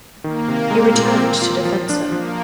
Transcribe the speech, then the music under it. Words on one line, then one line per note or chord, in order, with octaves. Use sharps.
He returned to Defensor.
D#3 A#3
C3
G#3 C4
A#2
A#3
F4
F3
D4
F3 A#3